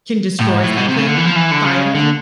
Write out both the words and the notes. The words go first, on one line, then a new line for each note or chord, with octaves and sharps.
can destroy something? Firing?
A2
G#2
A2
B2
C3
C#3
D3
E3
F3
E3
D3
C#3
D3